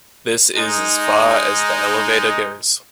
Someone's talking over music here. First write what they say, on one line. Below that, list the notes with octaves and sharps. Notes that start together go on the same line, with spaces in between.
This is as far as the elevator goes.
G#3 D#4